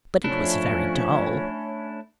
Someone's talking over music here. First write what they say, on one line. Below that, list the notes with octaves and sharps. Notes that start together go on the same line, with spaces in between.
But it was very dull.
F3 A3 C#4 D4 E4 C#5